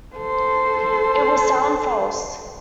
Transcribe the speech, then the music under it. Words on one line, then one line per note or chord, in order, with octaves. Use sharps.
It will sound false.
A4 C5